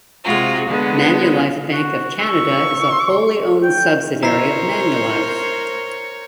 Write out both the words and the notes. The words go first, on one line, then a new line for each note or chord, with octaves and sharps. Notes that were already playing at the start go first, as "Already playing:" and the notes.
Manulife Bank of Canada is a wholly owned subsidiary of Manulife.
C3 G#3 F4 F#4
D3 G#3 B3
F#4
C#6 E6
G5
E4 A#4 C5 C#5 A#5 C7